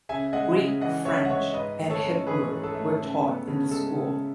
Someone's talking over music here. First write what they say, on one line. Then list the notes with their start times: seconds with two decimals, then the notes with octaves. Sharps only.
Greek, French and Hebrew were taught in the school.
0.09 C#3 E5 G#5
0.33 G#3 D#5 F#5
0.57 C#3
0.81 E3 D#5 F#5
1.05 C#3 C#5 E5
1.25 F#5
1.29 G#3 C#5 E5
1.54 G#2 B4 D#5
1.79 A3
1.90 A4 C#5
2.02 C#4
2.27 E3 G#4 B4
2.50 G#2
2.63 A4
2.75 A3
2.99 C#3
3.23 B3
3.47 C#3
3.71 G#3 A4
3.96 C#3